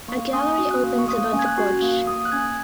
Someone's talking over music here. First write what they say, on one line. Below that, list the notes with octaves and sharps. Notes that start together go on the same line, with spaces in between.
A gallery opens above the porch.
A#3 C#6
C#4 D#6
F#4
F#6
A#3
C#6
A#3 D#6
C#4
G#6
F#6
F#4
A#3
A#3 D#6
F#6
C#4 G#6